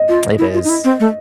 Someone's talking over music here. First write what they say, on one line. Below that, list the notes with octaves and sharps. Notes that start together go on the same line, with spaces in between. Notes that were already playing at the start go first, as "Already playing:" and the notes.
It is.
Already playing: D#5
F4
E4
F4
D#4
E4
C4
A3